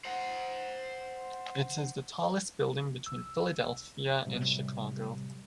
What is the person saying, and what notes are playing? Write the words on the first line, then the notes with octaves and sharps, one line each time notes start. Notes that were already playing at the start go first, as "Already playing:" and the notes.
It is the tallest building between Philadelphia and Chicago.
C5 F#5
C2 E6
A2 C3 F#3 G3